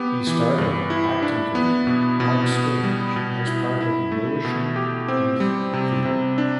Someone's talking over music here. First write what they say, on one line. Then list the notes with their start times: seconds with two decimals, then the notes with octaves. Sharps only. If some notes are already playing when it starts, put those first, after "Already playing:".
He started acting career on stage as part of Lewisham youth theatre.
Already playing: B3 G4
0.27 E3
0.58 G2
0.90 E4
1.22 D4
1.55 B3
1.87 B2
2.20 B2
2.52 B3
2.84 G3
3.16 B2
3.47 E4
3.81 E4
4.12 A3
4.45 B2
4.76 G4
5.08 C4
5.40 G3
5.73 C3
6.05 C3
6.38 D4